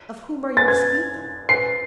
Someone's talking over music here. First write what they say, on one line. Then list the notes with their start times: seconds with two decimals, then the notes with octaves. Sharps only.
Of whom are you speaking?
0.57 A6
0.68 G#6
1.49 C7